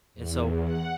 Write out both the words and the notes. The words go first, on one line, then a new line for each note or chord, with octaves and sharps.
And so,
E2
F#5